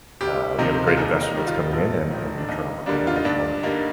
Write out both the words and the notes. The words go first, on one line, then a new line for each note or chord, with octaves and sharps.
uh, we have a great investor that's coming in and and we're trying to work on that at the moment.
D2 G4
C3 F3 C4 D#4
F4
D#2 D#4
D#4
D#3 G3
F4
A#1 F4
A2 F3 D#4
D4
D#2 D#4
D3 G3 A#3 D4
F4
D#4
G2 D4
D3 G3 A#3 D#4